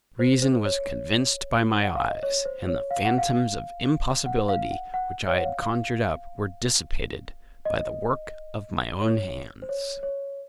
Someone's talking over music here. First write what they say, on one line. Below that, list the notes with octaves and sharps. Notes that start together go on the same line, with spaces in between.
My reason was convinced by my eyes; and the phantoms of impossibility which I had conjured up were dissipated by the work of my own hands.
C5
C5
C#5
F#5
F5
D#5
C#5
C5
C#5
F5
F#5
F5
F#5
F5
F#5
F#5
C#5
F#5
F5
F5
D#5
C#5
C5
C#5
C#5